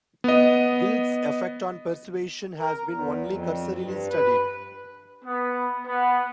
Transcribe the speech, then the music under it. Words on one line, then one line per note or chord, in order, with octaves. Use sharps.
Guilt's effect on persuasion has been only cursorily studied.
B3 D#5
A#4
E2
F2
G2
B4
B3
B3